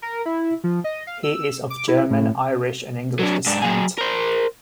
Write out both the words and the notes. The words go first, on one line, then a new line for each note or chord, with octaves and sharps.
He is of German, Irish, and English descent.
A#4
E4
F3
D#5
F5
E6
D6
E4
A2
F#3 D4
G#2 D4
F#3 G#4
A#4 C5